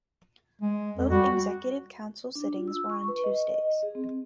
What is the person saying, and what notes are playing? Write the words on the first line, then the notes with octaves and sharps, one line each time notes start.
Both Executive Council sittings were on Tuesdays.
G#3
F2
G3 F#4
D4
F4
E6
C#6
B4
D#5
D#5
G#4
C4